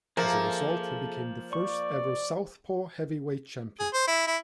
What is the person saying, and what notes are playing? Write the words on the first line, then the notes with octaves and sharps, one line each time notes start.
As a result, he became the first-ever southpaw heavyweight champion.
F3 A#3 G#4 A4 E5
D5 C#6
G#4
C5
E4
E4